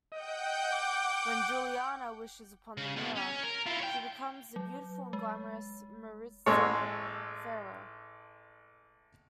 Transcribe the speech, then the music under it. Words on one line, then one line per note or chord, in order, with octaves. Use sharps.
When Juliana wishes upon the mirror, she becomes the beautiful and glamorous Maritza Ferrer.
D#5 F#5 G5 G6
D6
C#3
B2 G#3
C#4
A#4
E4 F4
C#5 G5
F#3
G#3
A1 G#3 A4 C#5